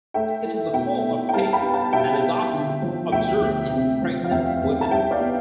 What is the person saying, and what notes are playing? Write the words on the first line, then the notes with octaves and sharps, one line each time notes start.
It is a form of pica and is often observed in pregnant women.
A3 E5 G5
E4
B2 E5 G5
B2
G5
G3 F5 A5
G5 B5
B3
F5 A5
B2 E5 G5
B2
D3
F3
D2 E5 G5
D2
C3
F3
F5
E2 E5 G5
E2
A5
G3 E5 G5
D5 F5
B3